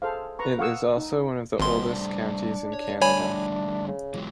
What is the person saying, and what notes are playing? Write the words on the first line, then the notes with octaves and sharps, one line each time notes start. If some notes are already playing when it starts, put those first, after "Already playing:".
It is also one of the oldest counties in Canada.
G#4 A4 C5 F5
B4 A#5 C#6
F5 F#5 C#6 D#6 E6
D#4
G#1 B2 G3 A3 C5 C6
D4
C#5
D3 G3 A3 C#5 G#5 B5
C#3
E3 F#3 G#3